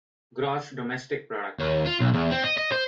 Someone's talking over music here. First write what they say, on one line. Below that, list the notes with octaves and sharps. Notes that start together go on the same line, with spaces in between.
Gross Domestic Product.
D#2
F4
B1
E2
C4
D#5
D#5
C5